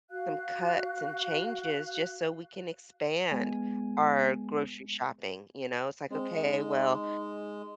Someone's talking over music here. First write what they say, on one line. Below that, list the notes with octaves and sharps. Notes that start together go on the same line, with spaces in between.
some cuts and changes just so we can expand our grocery shopping, you know, it's like, "Okay, well,
F#4 F5 F#6
G#3 B3 G#5
G#3 C4
D#4